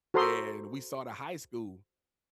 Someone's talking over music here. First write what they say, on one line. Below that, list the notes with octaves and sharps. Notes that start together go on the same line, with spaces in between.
and we saw the high school,
F#4 A4 C5 A#5 C6 D#6